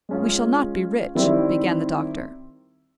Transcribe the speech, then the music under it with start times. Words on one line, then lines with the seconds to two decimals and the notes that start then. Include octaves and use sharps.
"We shall not be rich--" began the doctor.
0.09 G#3 C#4 F4
1.15 D#3 G3 C4 E4 G4